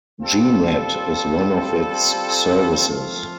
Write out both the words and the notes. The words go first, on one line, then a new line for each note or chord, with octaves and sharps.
G-Net is one of its services.
G3 C4 F4 A4
F3 A3 C4 F4 A4